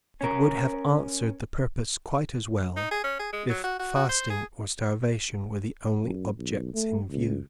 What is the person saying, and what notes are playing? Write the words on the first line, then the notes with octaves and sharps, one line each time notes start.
It would have answered the purpose quite as well, if fasting or starvation were the only objects in view.
C#4 A#4
D#4
G#4
C#4
G#4
G#3
F#3
F#4
F#4
F#4
C5
G#4
F#2
B1
A3
C#2